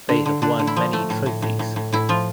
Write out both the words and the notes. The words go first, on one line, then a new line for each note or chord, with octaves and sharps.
They have won many trophies.
D3
D3
D3 D4
D3
E4
F3
A3
A2
A2
A2
A2
A2
A2 E4
F3 F4